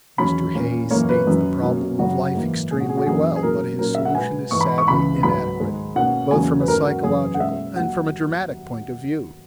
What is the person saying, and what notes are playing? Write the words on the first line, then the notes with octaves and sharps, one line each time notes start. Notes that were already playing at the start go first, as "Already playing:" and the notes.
Mr. Hayes states the problem of life extremely well, but his solution is sadly inadequate both from a psychological and from a dramatic point of view.
E2 D#3 F#3 C#4 B5
A#2 A#3 C#4
F#2 E3 A#3 C#4 C#5
B4
F#2 D#3 F#3
B2 F#3 A#3 C#4
F#2 C#3 F#3 C#4 F#4
G#2 E3 A#3
A#2 G#3 C#4 G#4
F#4
G#4
F#4
F#2 E3 A#3 C#4 G#4
G#4
B2 F#3 A#3 C#4 A#4
A#2 F#3 C#4 A#4
E5
F#5
B2 G#3 B3 G#5
G#2 E3 B3 C#6
B5
C#6
C#2 C#3 E3 B5
G#2 F#3 B3 B5
G#2 D#3 G#3
B2 A#3 C#4 F#5
E2 C#3 F#3 A#3 C#4 G#5
B4
G#2 F#3 C#4 A#4
F#4
F#2 E3 B3 G#4
F#5
B2 G#3 C#4 E5
D#2 D#3 F#3 F#5